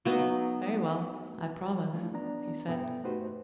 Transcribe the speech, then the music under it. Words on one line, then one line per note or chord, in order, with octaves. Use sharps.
"Very well--I promise," he said.
F#3 B3 D#4 D#5
E3 F3 A3 D4 E4 F4
B3 D4 D5 A#5
G2 B2 B3 A4 E5 G5
A3 D#4 F#4 G4 B4 C5